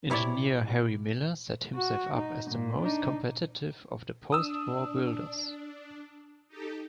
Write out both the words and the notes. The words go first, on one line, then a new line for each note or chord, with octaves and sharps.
Engineer Harry Miller set himself up as the most competitive of the post-war builders.
C3 E4 C#5 D5 E5
F#4
D#4
A#2
D4 D#4
D4 D#6 E6
D#4 G4 A4